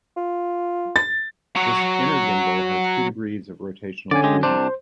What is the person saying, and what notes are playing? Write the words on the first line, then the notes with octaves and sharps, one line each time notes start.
This inner gimbal has two degrees of rotational freedom.
F4
A6
F#3 C#5
D3 C#4 D5 G#5
G#3 G4
C2 C3 D4 C5